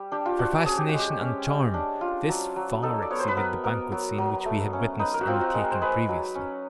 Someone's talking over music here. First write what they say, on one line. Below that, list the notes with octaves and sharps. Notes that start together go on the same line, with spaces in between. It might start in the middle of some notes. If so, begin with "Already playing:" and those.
For fascination and charm this far exceeded the banquet scene which we had witnessed in the taking previously.
Already playing: G3
D4 G4
F4
D4 F#4
F#4
C#4 G#4
G4
G#3 F#4
G4
C#4
G#3
D4
F4
F#3
F#3
D#4 A4
D5
B3 C#5
C5
B4
B3 A#4
B3 A#4
F#3
F#3
A3
C#4
D#4 B4
A#4
F#4
C4 F4
F#4
G#3 A#4
C5
G#3 B4
F#3
C#4